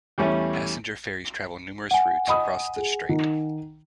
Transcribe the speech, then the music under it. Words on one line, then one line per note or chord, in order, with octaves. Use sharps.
Passenger ferries travel numerous routes across the strait.
E2 G3 A3 C#4
F#5 G#5
D#5 B5 D#6
G#4
D#3